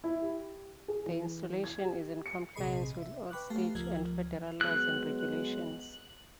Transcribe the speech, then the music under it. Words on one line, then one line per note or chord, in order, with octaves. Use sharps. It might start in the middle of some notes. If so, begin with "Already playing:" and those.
The installation is in compliance with all state and federal laws and regulations.
E4
G4
G#4
E3
G#6
G4
C#7
A#1 C3 G#4 D#5 B5 C7
E5
B4 G5 B5 C#6 D6 F#6
A3 G4 F5 A5 C7
C#2 F3 A#4 G#6
F#3 G#3 B3 F#6